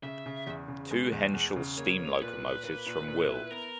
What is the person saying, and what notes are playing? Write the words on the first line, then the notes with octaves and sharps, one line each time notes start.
Two Henschel steam locomotives from Wilh.
C#3 E5
C#3
E2
C#3
G#3
E2
E2
C#3
A#3 C#5
A#3
A#2 B4
A#2
A#3 B4
A#2
A#2
E4
B3 A#4